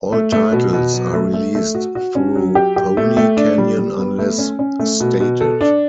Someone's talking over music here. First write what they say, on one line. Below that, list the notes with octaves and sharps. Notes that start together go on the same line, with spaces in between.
All titles are released through Pony Canyon unless stated.
A3
A3
B2
B2
F#3
A3
A3
A3
F#4
F#4
C#4
F#3
G4
G4
A3
A3
D4
G3
G3
B3
A3
C#4
C#4
A3
B2
B2
A4
D4